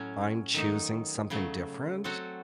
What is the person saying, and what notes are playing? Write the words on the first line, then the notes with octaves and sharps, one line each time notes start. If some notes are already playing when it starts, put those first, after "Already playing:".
I'm choosing something different,
Already playing: A2 F#3 C#4
D#3 F#3 A3 D#4
C#3 F#3 A3
F#3 C4 F#4 A4